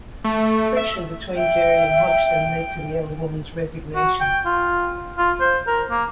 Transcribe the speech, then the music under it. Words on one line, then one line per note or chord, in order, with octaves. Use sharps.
Friction between Gerrie and Hodgson led to the elder woman's resignation.
A3
E5
E5 G5
F#4
G5
F4
F4
C5
A#4
A#3